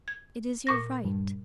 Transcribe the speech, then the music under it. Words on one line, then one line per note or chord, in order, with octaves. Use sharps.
It is your right.
G#6
A#2 C#6 A#6
G2